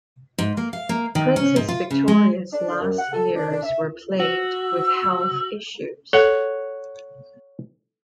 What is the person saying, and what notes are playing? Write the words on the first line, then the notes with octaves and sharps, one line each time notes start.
Princess Victoria's last years were plagued with health issues.
G#2
A#3
F5
A#3
D#3
C#4
G#2
F4
C#3
G#3
D4
D4
F#2
F#5
A4
D4
D4
E5
F#4 E6
A4 C#5 F#5